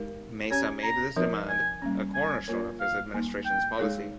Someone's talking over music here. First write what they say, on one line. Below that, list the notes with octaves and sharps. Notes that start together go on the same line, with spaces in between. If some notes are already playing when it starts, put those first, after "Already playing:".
Mesa made this demand a cornerstone of his administration's policy.
Already playing: G#3 D#4 G4 A#4
C#4 G4 C#5 G#5
A#5
F3 C4 D#4 A#4 C#5
G#5
G3 A#3 C#4
G#5
A#3 F4 A#4 C#5
F5
G3 A#3 D#4
G5
G#3 D#4 G#4 C#5